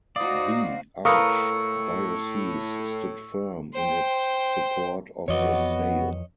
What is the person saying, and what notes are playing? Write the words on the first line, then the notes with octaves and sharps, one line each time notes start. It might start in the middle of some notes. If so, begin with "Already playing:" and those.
The Archdiocese stood firm in its support of the sale.
D#4 F#4 C5 D5 F5 D#6
A2 A#4 B4 F5 C#6 D#6 E6 C#7
C5 G5
F2 E3 B3 F#4 C#5 D#5